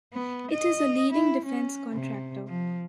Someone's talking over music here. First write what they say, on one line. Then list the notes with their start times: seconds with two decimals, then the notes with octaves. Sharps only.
It is a leading defense contractor.
0.13 B3
0.51 D#5
1.12 E4
1.45 C#4
1.93 C3
2.48 F3